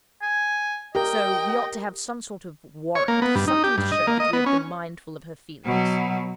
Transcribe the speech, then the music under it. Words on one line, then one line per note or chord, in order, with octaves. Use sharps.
So we ought to have some sort of warrant, something to show that we have been mindful of her feelings.
G#5
G4 A#4 D#5 G5
C#5
A#3
B3
G2
D#4
G4
G2
D#5
A#3
D#5
B3
C#4
B2 F#3